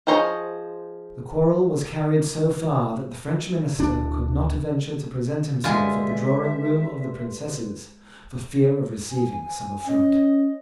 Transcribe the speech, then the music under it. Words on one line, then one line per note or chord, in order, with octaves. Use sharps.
The quarrel was carried so far that the French minister could not venture to present himself at the drawing room of the Princess for fear of receiving some affront.
F3 G#4 C5 C#5 D#5
D1 D4
D3 G#3 F4 G4 B4 E5 G#5 C6
G#5
C#4 D#5